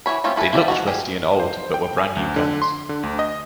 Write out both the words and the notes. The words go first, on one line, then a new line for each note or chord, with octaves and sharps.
They looked rusty and old, but were brand new guns.
E3 F#4 C#5 B5
A3 C4 C#4 F4 G4
E4 F#4 A4 B4 G#5
E4 G4 D5 F5
G#3 D#4 F#4
G4 G#4
C5
G5
G#5
D2
D3
C6
D3
D2
D#5